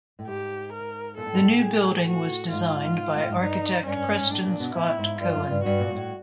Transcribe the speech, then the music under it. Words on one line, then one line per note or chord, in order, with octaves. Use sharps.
The new building was designed by architect Preston Scott Cohen.
A2
G#2 G4
A#4
A#2 A4
A2
G#2
A2
G#4
F#4
G#2 F4
A2
G#2
G2 D#4
G2 C#4
G2
G2
G#2
A2 D4
A#2
B2
A2 E4
G#2
G2 F4
F#2
G2
G2 F#4
A#2
A2